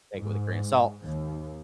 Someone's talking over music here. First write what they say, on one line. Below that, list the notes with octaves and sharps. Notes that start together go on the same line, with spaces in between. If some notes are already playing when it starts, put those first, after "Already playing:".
take it with a grain of salt.
G#2
D#2